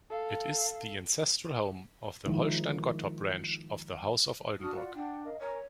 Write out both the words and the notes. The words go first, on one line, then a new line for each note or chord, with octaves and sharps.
It is the ancestral home of the Holstein-Gottorp branch of the House of Oldenburg.
A4 F5
D#3 F3 G#3 D#4 E4
D4 F#4 D#6 F6
F4 D5 F#5
D4 F#5 G5
A#4 D#5 F5
A#4 C#5 G#5